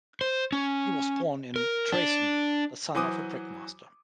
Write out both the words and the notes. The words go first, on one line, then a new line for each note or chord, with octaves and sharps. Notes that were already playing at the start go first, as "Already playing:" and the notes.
He was born in Dresden, the son of a brickmaster.
C5
C#4
A#4
D4
E3 F#3 C5 G#5 D6 D#6